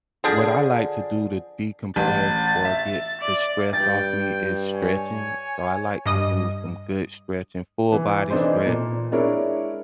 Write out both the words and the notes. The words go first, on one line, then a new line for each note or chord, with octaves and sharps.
what I like to do to decompress or get the stress off me is stretching. So, I like to do some good stretching, full-body stretch.
D3 F3 G#4
A1 A6
E5
D5
G2 G5 A6
C#5 G#5
G2 D#5 D#6
E3
E3 D4 D#4 A4 C5
A#2
G#3 D4 E4 A#4 C#5